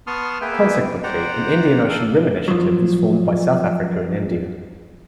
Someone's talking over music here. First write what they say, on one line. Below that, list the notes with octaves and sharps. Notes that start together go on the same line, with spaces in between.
Consequently, an Indian Ocean Rim Initiative was formed by South Africa and India.
B3 A5 C6 C#6 D#6 F6
A#3 B3 G#4 B4 E5 G5
C5 D5 F#5 G5 A#5
A4 A#4 F5
F3 F#3